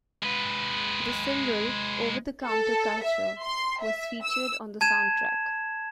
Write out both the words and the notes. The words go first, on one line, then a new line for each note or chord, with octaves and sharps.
The single "Over the Counter Culture" was featured on the soundtrack.
G#3 B4
A4
E5
C6
E5
E6
A5 G#6 E7